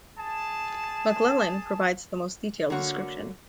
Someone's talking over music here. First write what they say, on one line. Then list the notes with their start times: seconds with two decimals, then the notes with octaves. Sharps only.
McClellan provides the most detailed description.
0.19 G#4 A5
2.70 D3 A#3 F#4 C#5